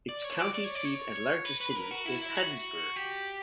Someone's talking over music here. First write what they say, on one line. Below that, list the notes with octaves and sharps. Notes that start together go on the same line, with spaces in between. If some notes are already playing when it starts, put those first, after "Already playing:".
Its county seat and largest city is Hattiesburg.
D5
C#5
D5
D5
C#5
D5
C#5
B4
B4
B4
A#4
F#4
E4
E4
F#4
G4